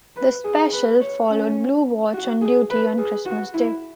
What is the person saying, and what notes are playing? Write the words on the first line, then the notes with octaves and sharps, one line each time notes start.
The special followed Blue Watch on duty on Christmas Day.
B4
G#4
B4
C#5
C#4
F#4
G#4
B4
G#4
F#4
E4